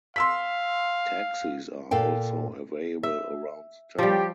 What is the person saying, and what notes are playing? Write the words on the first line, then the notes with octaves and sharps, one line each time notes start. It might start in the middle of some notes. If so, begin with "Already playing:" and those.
Taxis are also available around the town.
F5 C6 E6 B6
A#2 A4 F5 G5
E5
F3 G3 G4